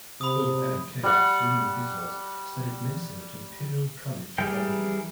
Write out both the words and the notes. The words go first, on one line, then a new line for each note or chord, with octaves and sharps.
Both Adam Kay and Suman Biswas studied medicine at Imperial College London.
C3 B5 D#6
G3 F#5
E3 G3 G#4 A#4 G5